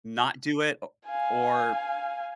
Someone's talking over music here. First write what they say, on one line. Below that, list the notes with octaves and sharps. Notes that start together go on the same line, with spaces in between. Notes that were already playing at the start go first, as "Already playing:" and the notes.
not do it o or
F5 G#5